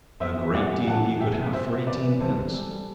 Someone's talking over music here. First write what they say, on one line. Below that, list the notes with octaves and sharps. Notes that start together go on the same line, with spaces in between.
A great deal you could have for eighteenpence!
B3 C5 E5
E3
G3 D5 F#5
E3
F#2 F#5 A5
E3
B3 E5 G5
F#2
B3 C5 E5
B3
E3 B4 D5
F#2
G3 A4 C5
E3
G3 A4
G3